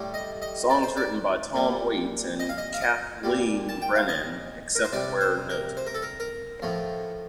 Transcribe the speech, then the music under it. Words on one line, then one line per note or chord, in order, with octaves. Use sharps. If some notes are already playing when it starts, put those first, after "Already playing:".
Songs written by Tom Waits and Kathleen Brennan, except where noted.
Already playing: A2 G3
D#5
D#5
D5
C5
D5
A#2 G3
D#5
F5
D#5
F5
D#5
A#2 G3
A5
G5
F5
D#5
A#4
C5
C3 G3 D5
C5
A#4
C5
A#4
A4
A#4
A#4
A2 F3